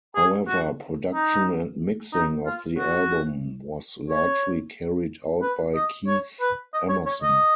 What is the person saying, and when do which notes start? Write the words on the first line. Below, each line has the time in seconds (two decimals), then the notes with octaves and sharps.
However, production and mixing of the album was largely carried out by Keith Emerson.
0.16 G#4
0.48 F#4
1.14 D#4
2.13 D#4
2.46 F4
2.78 F#4
4.10 C#5
5.42 B4
5.75 D#5
6.07 C#5
6.41 B4
6.74 D#5
6.89 C#5
7.06 C#5
7.22 D#5